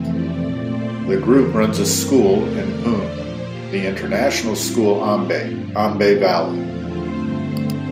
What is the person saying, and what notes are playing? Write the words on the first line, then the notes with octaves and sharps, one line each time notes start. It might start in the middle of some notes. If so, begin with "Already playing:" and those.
The group runs a school in Pune, the International School Aamby - Aamby Valley.
Already playing: F2 C3 E3 A3 C4
D5
A#2 A3 C4 D5
C5
E2 D3 F3
A#4
G2 E3 A3 C4
E2 C3 F3 A3 C4
D5
E2 D3 A3
C5
A#2 F3 A#3
G4
E2 D3 A3 F4
E4
A2 G3 C4
F4
A#2 A3 C4
G2 D3 F3
A#2 F3 A3 C4
F4
E2 D3 F3 A3 C4
C5
G2 D3 A3 C4 C5